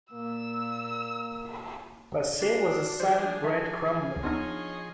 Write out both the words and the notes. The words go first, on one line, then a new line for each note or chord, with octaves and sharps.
Bassett was a silent bread crumbler.
A#2 A#3 E6
D4 F#4 C7
F3 G#4 C5
E5 A5
B3 D4 D#4 C#5 D#5 C6 F6